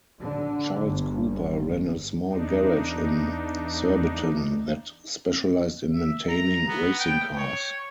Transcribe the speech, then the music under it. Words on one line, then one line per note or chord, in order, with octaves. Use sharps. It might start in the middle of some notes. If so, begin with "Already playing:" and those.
Charles Cooper ran a small garage in Surbiton that specialised in maintaining racing cars.
D3
G1
E2 D4 D#4
E5
A#5
B3
G5
C#5